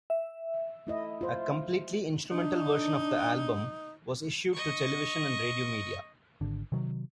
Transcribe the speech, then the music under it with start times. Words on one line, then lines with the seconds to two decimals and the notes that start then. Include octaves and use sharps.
A completely instrumental version of the album was issued to television and radio media.
0.10 E5
0.87 A3 E4 D#5
1.21 F4 C5
2.30 D4 D#4
4.53 D#5 C#6
6.41 G#1 D3
6.72 C3 D#3 F#3